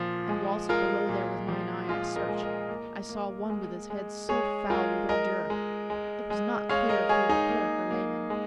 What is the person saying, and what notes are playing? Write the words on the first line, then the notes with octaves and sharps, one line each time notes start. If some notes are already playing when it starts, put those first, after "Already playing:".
And whilst below there with mine eye I search, I saw one with his head so foul with ordure, It was not clear if he were clerk or layman.
Already playing: A#2 F3
G#3
G#3 F4 A#4
A#2
F3
G#3 F4
A#4 D#5
G#3
A#4 D#5
A#3
A#3
G#3
G#3
G#3 G#4 C#5
G#3 F4 A#4
G#3 A#4 D#5
G#3
G#3
G#3
G#3 C#5 F5
A#4 D#5
G#3 G#4 C#5
D#4 G#4
A#3
A#3
G#3